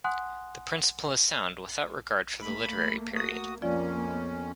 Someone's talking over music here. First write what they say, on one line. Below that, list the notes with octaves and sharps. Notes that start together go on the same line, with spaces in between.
The principle is sound without regard for the literary period.
F#5 G#5 C6 D#6 F#6
A3 A#3 B5
F#4 D#6
F2 F3 A#3 C#4 F4 D5
B3 D#5